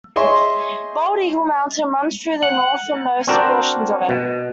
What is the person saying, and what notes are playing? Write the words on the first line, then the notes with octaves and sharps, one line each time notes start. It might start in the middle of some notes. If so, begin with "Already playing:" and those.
Bald Eagle Mountain runs through the northernmost portions of it.
G#4 C#5 D#5 E5 C6 C#6
F#5
C4 D4 F#4 A#4 C5 D5
B2